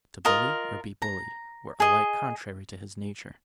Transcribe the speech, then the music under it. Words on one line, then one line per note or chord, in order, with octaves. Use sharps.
To bully or be bullied were alike contrary to his nature.
F4 A#4 D#5
A#5
G#4 D#5